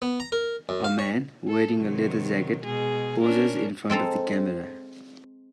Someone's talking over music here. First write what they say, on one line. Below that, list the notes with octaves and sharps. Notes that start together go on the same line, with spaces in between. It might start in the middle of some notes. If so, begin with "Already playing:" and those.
A man wearing a leather jacket poses in front of the camera.
B3
A#5
A#4
F#2
F5
C#5
A4
C3 D#3 F#3
B2 G#3 G#4
C#4 D4 A#4
G#3 C4 A4 A#5